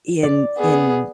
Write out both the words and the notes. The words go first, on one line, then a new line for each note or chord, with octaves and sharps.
in in
D5
B3 G#4